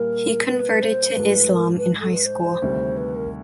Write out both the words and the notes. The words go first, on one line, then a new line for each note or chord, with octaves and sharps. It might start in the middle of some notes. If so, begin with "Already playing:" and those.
He converted to Islam in high school.
Already playing: A#2 G3 A#3 A#4
B4
C5
G#2 F3 A3 B4
A#4
B4
A4
B4
C5
D2 C3 D#3 G3
B4
A#4